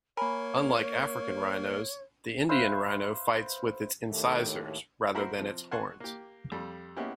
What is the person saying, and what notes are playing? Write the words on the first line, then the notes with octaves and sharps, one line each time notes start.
Unlike African rhinos, the Indian rhino fights with its incisors, rather than its horns.
A#3 A#4 C#5 G#5 A#5 B5
B4 C5 E5 F5
D#2 A2
E4 F#4 A#4 C5 B5
C3 F3
F#5 G#5 A5 C6 C#6 F#6
A#3 G4
F2 G3
G#3 A#3 B3 C#4 E4 G4